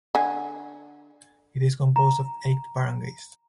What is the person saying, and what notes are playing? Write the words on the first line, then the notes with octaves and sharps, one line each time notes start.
It is composed of eight barangays.
D3 G#5
A#5